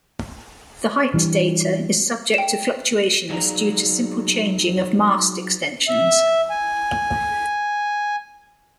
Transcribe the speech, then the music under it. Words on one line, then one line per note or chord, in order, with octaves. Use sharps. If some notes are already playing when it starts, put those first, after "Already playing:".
The height data is subject to fluctuations due to simple changing of mast extensions.
E3 G3 D4
G5 E7
F#3 D#4 G#4 D5 F5 A#5
E5
G#5